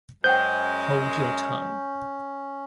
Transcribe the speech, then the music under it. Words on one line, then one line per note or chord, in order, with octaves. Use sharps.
Hold your tongue.
F#2 G#3 C#4 C5 F#5 G5 G6